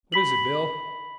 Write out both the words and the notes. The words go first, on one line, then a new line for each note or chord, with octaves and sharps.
What is it, Bill?'
B5 B6 F#7